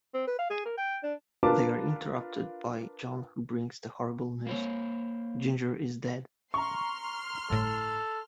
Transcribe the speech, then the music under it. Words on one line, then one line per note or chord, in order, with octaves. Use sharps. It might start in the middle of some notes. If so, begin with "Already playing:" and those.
They are interrupted by John who brings the horrible news - Ginger is dead.
C4
B4
F5
G#4
A#4
G5
D4
D4 F4 A#4 B4 A5 D6
A#3 C5 C#5
A#5 C6 C#6 F6
G1 A2 A4